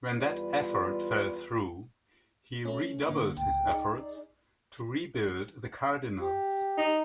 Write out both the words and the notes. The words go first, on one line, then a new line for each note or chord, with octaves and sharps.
When that effort fell through, he redoubled his efforts to rebuild the Cardinals.
E2 G3 F4 B4 D5
A3 C#4
A2 D3 A#3
C#2 A2 G5
D#4 G#4 D5
G4
D#4